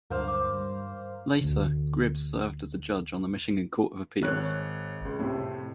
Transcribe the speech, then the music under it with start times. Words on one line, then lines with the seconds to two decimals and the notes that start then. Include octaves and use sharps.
Later, Gribbs served as a judge on the Michigan Court of Appeals.
0.10 D2 G2 D3 F#3 A#3 C5 F5
0.28 D6
0.54 G3
1.41 D2 D3
4.22 G#1 C#5 F#6
5.05 C#2
5.19 F2 A2 C3